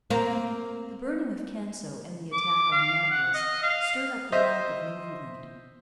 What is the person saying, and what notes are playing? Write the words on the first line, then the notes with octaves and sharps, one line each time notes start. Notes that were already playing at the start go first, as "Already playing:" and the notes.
The burning of Canso and the attack on Annapolis stirred up the wrath of New England.
A#3 C4
D6
F5
F#5
D#5
F5
C5 D#5 E5